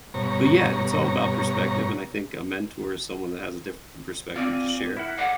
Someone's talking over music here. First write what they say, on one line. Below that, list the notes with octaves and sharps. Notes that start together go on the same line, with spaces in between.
but yeah, it's all about perspective. And I think a mentor is someone that has a different perspective to share,
G2 B2 C#5 A#5
C4 F4 D5 G#5
E4 A#4 F#5
G#4 D5 F#5